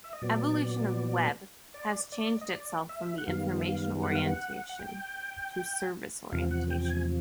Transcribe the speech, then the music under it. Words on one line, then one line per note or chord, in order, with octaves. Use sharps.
Evolution of Web has changed itself from the information orientation to Service orientation.
E5
D#5
A#2 F#3 B3 D5
D5
D5
D#5
D5
E5
F#5
F#2 D#3 G3 B3 F5
E5
F5
F#5
F5
F#5
F#5
G5
E2 C3 F3 F5
F#5
G5
G5
G#5